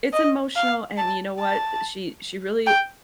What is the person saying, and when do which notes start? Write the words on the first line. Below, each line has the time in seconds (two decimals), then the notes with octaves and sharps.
It's emotional, and you know what? She she really
0.13 D#5
0.56 F5
0.97 A5
1.40 A5
2.66 G5